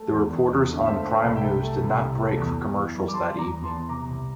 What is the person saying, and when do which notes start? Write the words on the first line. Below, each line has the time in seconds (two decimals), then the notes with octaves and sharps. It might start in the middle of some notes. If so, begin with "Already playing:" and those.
The reporters on "Prime News" did not break for commercials that evening.
Already playing: A3
0.09 E2
0.29 E2
0.47 E2
0.67 D3
0.81 F5
0.86 A3 C5 E5
1.05 A3
1.23 C2
1.36 E5 G5
1.43 C2
1.62 A3
1.81 C2
1.99 C2
2.19 A3
2.37 E2
2.56 E2
2.76 E3
2.95 G3
3.08 D6
3.13 G3 A5 C6
3.32 E2
3.38 A#5 D6
3.51 E2
3.63 A5 C6
3.70 E2
3.89 C3 A#5 D6
4.09 C2